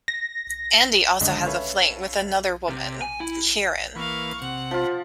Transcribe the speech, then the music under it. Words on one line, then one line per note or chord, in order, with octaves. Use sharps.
Andy also has a fling with another woman, Keiran.
A#6
G#1 C#2 D3 D#5
C#4 A4 B4 C#5 E5 F5
C3
G#5
E4
E3 A#3 B4 F5 C#6
C3 F#5
F3 F4